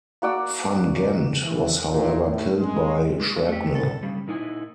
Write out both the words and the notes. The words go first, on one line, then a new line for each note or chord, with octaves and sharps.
Van Ghent was however killed by shrapnel.
A#3 F#4 D5 E6
E3
A#2
A2
G#3
G#3
A3 G4
A4
G2 C#3 G3
A#2 D#4 E4 G#5